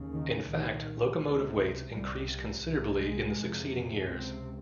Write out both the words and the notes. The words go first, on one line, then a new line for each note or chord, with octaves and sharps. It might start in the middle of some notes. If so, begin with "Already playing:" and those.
In fact locomotive weights increased considerably in the succeeding years.
Already playing: D#2 C#3
D#3
C2 A#2 D#3
C#2 C3
C2 C3 G3
C2 C3
G#3
F2 C3
C#2 C3 C4